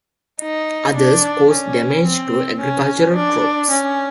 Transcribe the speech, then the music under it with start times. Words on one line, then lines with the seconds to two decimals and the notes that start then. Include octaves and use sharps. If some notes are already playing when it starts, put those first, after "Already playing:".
Others cause damage to agricultural crops.
0.41 D#4
0.96 D4
1.50 C#4
2.05 C4
2.60 C#4
3.15 D4
3.70 C#4